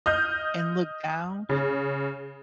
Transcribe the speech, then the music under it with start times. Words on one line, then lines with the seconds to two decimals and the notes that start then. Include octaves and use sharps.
and look down
0.06 D#5 F6 G6
1.49 C#3